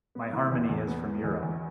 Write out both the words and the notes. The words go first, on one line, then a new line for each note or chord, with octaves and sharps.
My harmony is from Europe.
B3
E3
E2
E2
B3
E3
E2
E2